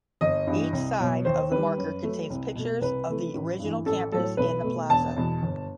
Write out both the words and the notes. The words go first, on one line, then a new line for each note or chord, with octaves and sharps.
Each side of the marker contains pictures of the original campus and the plaza.
G1 D#5
G2 E3
C2
B2 F#3
D#2 C5
D#3 G3 B4
F#2
F#3 A3
C2
B2 A3
C2 B4
C3 E3 A3
A1
G2 E3
A1 A4
A2 F#3 A3 A4
B1 B4
B2 A3
E1 A5
E2 B2
G1